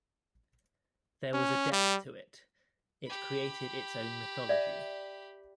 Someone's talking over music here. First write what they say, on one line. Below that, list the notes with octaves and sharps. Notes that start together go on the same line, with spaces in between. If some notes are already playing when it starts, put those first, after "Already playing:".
There was a depth to it: it created its own mythology.
C#4
G3
G4 B5
D5 E5